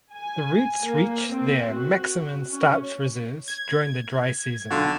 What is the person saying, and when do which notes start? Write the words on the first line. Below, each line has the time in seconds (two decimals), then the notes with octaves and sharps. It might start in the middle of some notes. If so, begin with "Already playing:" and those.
The roots reach their maximum starch reserves during the dry season.
0.14 G#5
0.82 A#3
1.29 C4
1.70 F#4
2.51 C#4
3.48 G#6
4.71 B1 D3 F4 F#4